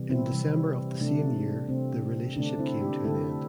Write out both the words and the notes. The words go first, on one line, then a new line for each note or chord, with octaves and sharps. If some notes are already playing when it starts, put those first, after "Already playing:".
In December of the same year the relationship came to an end.
Already playing: C3 E3 G3
C4 E4
C3 E3 G3
C3 A3 D4
C3 A3 C4
D3 A3 D4
C4 E4
D4 G4
D3 A3 E4 A4